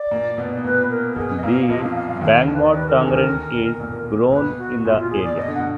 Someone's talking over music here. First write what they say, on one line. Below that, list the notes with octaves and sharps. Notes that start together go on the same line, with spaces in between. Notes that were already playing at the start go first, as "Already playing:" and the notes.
The Bang Mot tangerine is grown in the area.
Already playing: D5
A#2 A#3
B2 B3
B3
A#2 A#3 B4
A#4
A#4
B2 B3 G#4
D#5
A#2 A#3 F5
F2 F3 D#5
F5
F5
F5
D#2 D#3 F5
F5
D#2 D#3 B4
D5
D#2 D#3 B4
A#4
D2 D3 G#4
A#4
B2
A#2
B2 B4
F#4
A#2 F4
F4
G#4
D5
B2 D#5
D3
F#5
B2